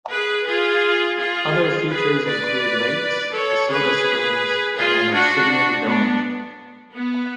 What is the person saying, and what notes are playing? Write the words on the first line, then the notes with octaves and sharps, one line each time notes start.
Other features include lakes, a soda springs, and an obsidian dome.
G#4 B4
F4 G#4
F4 G#4
G#4 B4
B4 D5
A4 C#5
G#4 B4
F4 G#4
D4 F#4
B3 D4
B3